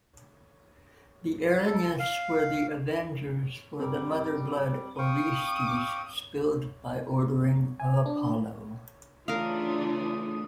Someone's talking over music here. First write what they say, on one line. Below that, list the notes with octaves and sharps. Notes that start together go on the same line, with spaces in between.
The Erinyes were the avengers for the mother-blood Orestes spilled by ordering of Apollo.
A4
F5
G3 C4 A#4
F5 G5 C#6 D#6
G#5
D4
C#3 E3 A3 D4 F4 A#4 F5 D#6